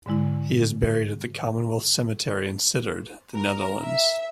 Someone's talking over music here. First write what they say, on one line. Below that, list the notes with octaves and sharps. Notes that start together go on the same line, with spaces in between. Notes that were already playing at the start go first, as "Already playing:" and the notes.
He is buried at the Commonwealth Cemetery in Sittard, The Netherlands.
G#2 D3 G#3 E4
A#4
E5